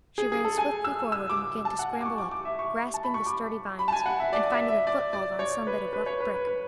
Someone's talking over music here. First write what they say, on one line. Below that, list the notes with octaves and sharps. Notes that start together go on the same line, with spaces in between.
She ran swiftly forward and began to scramble up, grasping the sturdy vines, and finding a foothold on some bit of rough brick.
G#4
G#4
A4
G#5
E6
E6
D6
A5
F#5
G#5
D6
C#6
D6
D6
E5
C#6
A5
B5
C#6
D6
B5
A5
G#5
F#5
E5
D5
E5
E5
D5
D5
C#5
B4
B4
C#5
B4
B4
B4